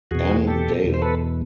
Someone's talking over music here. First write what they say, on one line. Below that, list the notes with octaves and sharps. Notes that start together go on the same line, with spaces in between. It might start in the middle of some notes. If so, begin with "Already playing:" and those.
Ann Dale.
E2 B2 F#4 G#4
G4 A4
E2 B2
C5
A4 B4